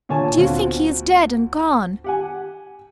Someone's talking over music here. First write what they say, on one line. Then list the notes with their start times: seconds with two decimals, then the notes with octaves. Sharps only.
"Do you think he is dead and gone?"
0.09 A#2 D3 C#5 G#5 A5
0.37 D2 B2 C4 F4 F#4
2.04 G4 F#5 G#5